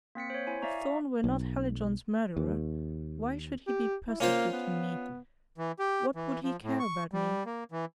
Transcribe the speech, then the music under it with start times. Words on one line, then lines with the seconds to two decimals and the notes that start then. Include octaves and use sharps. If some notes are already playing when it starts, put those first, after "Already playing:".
If Thorn were not Hallijohn's murderer, why should he be persecuting me--what would he care about me?
0.15 A#3 C4 B6 C#7
0.30 C5 C#5
0.47 E4 G#5
0.62 D5 E5 F5 A#5 C#6
1.24 B1
2.37 D#2
3.67 G4
4.08 E4
4.20 A#3 C#4 F4 C5
4.53 B3
5.58 E3
5.79 G4
6.15 E3
6.44 F3
6.63 A2
6.80 C#6
7.13 G3
7.46 A#3
7.72 E3